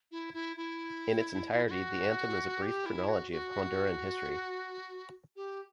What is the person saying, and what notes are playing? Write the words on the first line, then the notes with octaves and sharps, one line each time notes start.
In its entirety, the anthem is a brief chronology of Honduran history.
E4
E4
E4
E4
F#4
G4
E4
F#4
F#4
G4